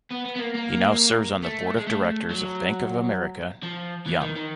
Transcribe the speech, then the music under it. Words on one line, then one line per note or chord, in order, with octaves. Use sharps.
He now serves on the Board of Directors of Bank of America, Yum!
B3
B3
B3
A#3
A#3
A3
G#3
A3
F#3
F3
E3
D#3
D#3